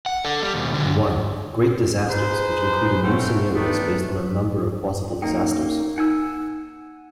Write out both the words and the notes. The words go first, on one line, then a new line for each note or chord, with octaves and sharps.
I: Great Disasters, which included new scenarios based on a number of possible disasters.
F#5
D4 A4
G3
D#2 B2
D3 F#3
D#4 G#4 B4 C5
A3 C4 C#4 F#4 G5
D#3 E3 A3 B3 D4
A#3 C#4 D#4 G5
D#4 F#5 G#5 E6